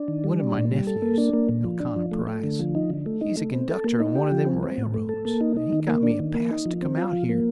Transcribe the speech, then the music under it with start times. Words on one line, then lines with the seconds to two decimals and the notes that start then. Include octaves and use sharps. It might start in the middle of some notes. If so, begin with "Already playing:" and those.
One of my nephews, Elkanah Price, he's a conductor on one of them railroads and he got me a pass to come out here.
Already playing: D4
0.08 D#3
0.24 G3
0.40 D4
0.55 A#2
0.71 G3
0.87 A4
1.02 A#3
1.18 D4
1.33 A#3
1.49 A#2
1.64 F3
1.80 D4
1.96 F3
2.11 A3
2.27 A3
2.44 D3
2.59 F3
2.75 D#4
2.90 D3
3.06 A3
3.21 D#4
3.37 A3
3.53 C4
3.69 A4
3.84 A#3
4.00 D#4
4.15 G4
4.32 F3
4.46 C4
4.63 C4
4.78 A2
4.94 A3
5.09 A4
5.25 A#3
5.41 D#4
5.57 D#4
5.72 D#3
5.88 A#3
6.03 D4
6.20 D#3
6.34 A#3
6.51 D#4
6.66 F3
6.82 C4
6.97 F4
7.13 F3
7.29 A#3